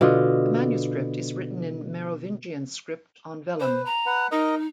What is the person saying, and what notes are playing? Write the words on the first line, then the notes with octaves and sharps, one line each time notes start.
The manuscript is written in Merovingian script on vellum.
B2 D3 F4 D#5
B4 C5
A#5
B4 F#5
D#4 A#4 D#5